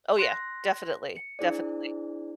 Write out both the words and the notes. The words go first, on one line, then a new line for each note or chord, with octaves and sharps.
Oh, yeah. Definitely. Definitely.
C6 F#6 A#6
C#7
D4 E4 G#4 C5 D5